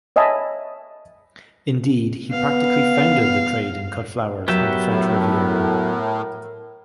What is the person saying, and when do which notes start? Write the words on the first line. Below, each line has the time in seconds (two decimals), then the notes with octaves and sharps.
Indeed he practically founded the trade in cut flowers on the French Riviera.
0.16 C#5 D#5 E5 G#5 A5 B5
2.32 B3 F5
4.48 F#3 B3 G4 A#4 E5
4.84 A2